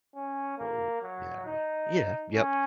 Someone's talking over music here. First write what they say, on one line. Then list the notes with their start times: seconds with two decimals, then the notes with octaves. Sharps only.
Oh yeah, yeah, yep,
0.15 C#4
0.58 A#3
1.02 F#3
1.46 D#4
2.33 C#4